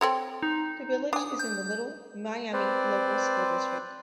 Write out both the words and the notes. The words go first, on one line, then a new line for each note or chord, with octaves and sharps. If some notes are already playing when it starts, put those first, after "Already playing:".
The village is in the Little Miami Local School District.
C4 A4 C#5
D#4
D4 G#5 D#6
G6
C4 B4 C5 D5